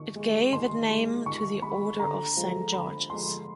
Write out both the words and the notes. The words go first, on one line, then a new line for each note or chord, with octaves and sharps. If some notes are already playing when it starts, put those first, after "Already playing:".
It gave it name to the Order of Saint-Georges.
Already playing: D#3 C#6
G#3
D#3 C6
G#3
D#3 C#6
G#3 B5
D3 A#5
F3 G#3
D3 B5
F3 G#3 C6